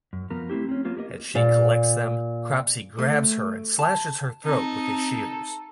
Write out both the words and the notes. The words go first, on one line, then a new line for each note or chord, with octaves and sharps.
As she collects them, Cropsy grabs her and slashes her throat with his shears.
F#2
F3 B3 A#4
A3 C4 E4 G4
C4 C#4
F#3 A#3 B3 F4
G4 A#4 D5 D#5
A#2
A3
A5
C4 D#4 A4